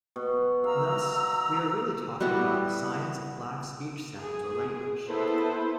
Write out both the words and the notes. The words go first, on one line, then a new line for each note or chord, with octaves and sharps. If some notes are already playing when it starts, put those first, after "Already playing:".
Thus, we are really talking about the science of black speech sounds or language.
B2
F5 A#5 E6
G3 B3 E4 F#4
G#4
B3 E4 A4 B4 C5